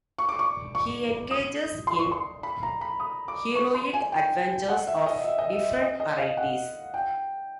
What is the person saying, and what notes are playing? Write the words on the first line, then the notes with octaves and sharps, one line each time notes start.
He engages in heroic adventures of different varieties.
C#6
D6
C#6
C#6
D#6
C6
C#6
C6
B5
A#5
B5
D#6
D6
C#6
C6
G#5
G5
F#5
E5
D#5
E5
D#5
E5
D#5
D#5
F5
F#5
G5